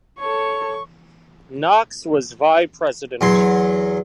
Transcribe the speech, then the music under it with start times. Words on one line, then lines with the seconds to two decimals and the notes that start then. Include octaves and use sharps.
Knox was Vie President.
0.19 A4 C#5 C#6
3.21 E2 F#3 C6